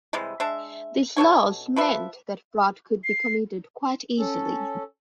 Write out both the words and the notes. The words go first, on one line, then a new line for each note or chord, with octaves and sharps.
These laws meant that fraud could be committed quite easily.
C3 E3 G3 G#3
G#3 D4 E5
B2 A4 C#5 G#5
F3 B4 E5
C7
C#4 A4